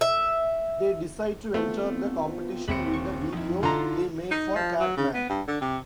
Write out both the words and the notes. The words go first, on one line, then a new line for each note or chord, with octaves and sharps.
They decide to enter the competition with the video they made of Cartman.
E5
A3 B3 C4 F4
D#1 C4 E5 B5 C#7
C#6
F2 D#4 E4
D3 F4 A4 A#5 C6
D#4
F3
F#3
C#3
B3
G2
D3
C3